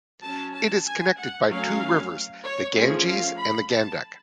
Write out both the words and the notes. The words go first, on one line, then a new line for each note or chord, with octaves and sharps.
It is connected by two rivers, the Ganges and the Gandak.
F#3 C#4 A5
A5
G#5
F#5
F#3 A3 C#4 F5
C#5
F3 A3 C#4 G#4
F5
B5
A5